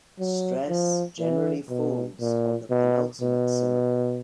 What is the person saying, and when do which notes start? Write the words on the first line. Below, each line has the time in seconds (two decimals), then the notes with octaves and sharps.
Stress generally falls on the penultimate syllable.
0.19 F#3
0.69 F3
1.19 E3
1.69 B2
2.20 A#2
2.70 B2
3.21 B2